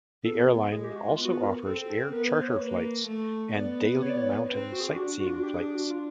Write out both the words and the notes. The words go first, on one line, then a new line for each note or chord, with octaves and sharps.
The airline also offers air charter flights and daily mountain sightseeing flights.
B3 A4
G#4
G#3 G#4
G4
F#4
F4
B3
F#4
F4
A#4
C4 A4
A4
B3 A#4
B4
C5
C#5
A#3 B4
A3
B3 D5
C#5
D5
C#5
D5
C#5
C4 B4
F#4
G#4
G4
D4 F#4
F#4
F4
F#4
G4
G#4
G4
F#4
F4